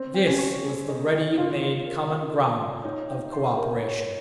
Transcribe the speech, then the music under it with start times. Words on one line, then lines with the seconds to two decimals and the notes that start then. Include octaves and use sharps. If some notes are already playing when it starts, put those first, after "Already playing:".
This was the ready-made, common ground of cooperation.
Already playing: C4
0.15 G5
0.27 C#4
0.39 C#6
0.64 G#4
0.89 D#5
1.13 G5
1.38 F4 F5
1.62 C6
1.86 A#4
2.11 A#4
2.36 F5
2.59 C6
2.84 D#4 C#5
3.09 G5
3.33 C6
3.57 A#4
3.83 C#5